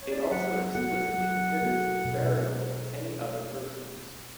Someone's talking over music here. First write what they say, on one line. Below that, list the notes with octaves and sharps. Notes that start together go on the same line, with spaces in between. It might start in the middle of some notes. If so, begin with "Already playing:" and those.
It also explicitly prohibits the burial of any other persons.
C#5
D5
E5
F#3 F#5
B3 F#4 A4 F#5
F#3
B3 F#4 A4
B2